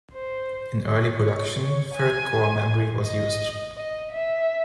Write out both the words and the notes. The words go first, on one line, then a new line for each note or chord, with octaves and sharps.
In early production, ferrite core memory was used.
C5
C#5
C#5
C#5
G#5
D#5
D#5
E5